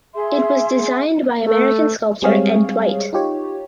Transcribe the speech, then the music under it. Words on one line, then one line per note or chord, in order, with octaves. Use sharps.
It was designed by American sculptor Ed Dwight.
G#4 E5 C6
A3
G3 G#3 C4 G#4 C#5 F5
D#4 F4 G4 C#5